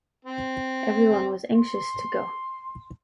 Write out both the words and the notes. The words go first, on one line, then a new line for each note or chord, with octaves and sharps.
Everyone was anxious to go.
C4
C6